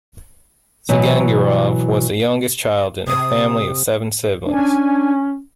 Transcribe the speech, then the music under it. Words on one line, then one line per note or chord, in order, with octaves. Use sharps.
Zigangirov was the youngest child in a family of seven siblings.
B2 E3 F#3
C3 D#6
C#4 D4 G#5